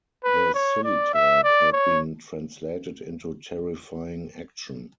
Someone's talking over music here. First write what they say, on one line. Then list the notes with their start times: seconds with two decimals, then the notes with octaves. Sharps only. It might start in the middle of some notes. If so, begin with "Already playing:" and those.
The "silly talk" had been translated into terrifying action.
0.24 B4
0.54 C#5
0.84 D5
1.14 E5
1.44 D5
1.73 C#5